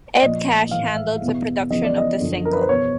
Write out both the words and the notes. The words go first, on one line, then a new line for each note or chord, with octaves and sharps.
Ed Cash handled the production of the single.
D5
A#2 F3 D#5
A2 E3 F5
E5
E2 B2
E2 C#3 F3 D#5
D5
D#5
F#2 D3 F3
A#4
B4
C5
E2 B2 C#5